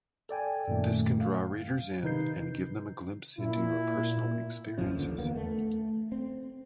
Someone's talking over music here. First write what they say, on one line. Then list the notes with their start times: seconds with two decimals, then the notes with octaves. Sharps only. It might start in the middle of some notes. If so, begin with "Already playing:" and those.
This can draw readers in and give them a glimpse into your personal experiences.
0.29 A4 D5 G5 G#5
0.68 F#2 A#2 D#3 A3
1.21 F5
2.03 C3 D#3 D#4 B4 G6 C7
3.38 A#2 E4
4.78 A#1 F#2 F3 C#4
4.94 D#2 D3
5.18 E2 A#3 B3
5.36 A3
6.12 C4